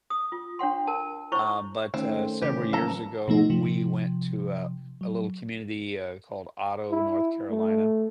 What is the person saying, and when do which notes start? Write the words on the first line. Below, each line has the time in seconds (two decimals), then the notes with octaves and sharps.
uh, but, uh, several years ago, we went to a a little community, uh, called Otto, North Carolina.
0.10 D#6
0.32 F4
0.59 D4 C#5 F#5 C6
0.87 A#4 A5
1.32 E4 C5 C#5 C#6
1.94 D#3 A3 C4 C#4
2.23 C5
2.42 C#3 E3 C#4 G4
2.73 F3 F#3 A#3 A4 A#5
3.28 B2 F3 A3 D#4
3.50 C3 F3
5.01 F#3
6.91 E4
7.50 A3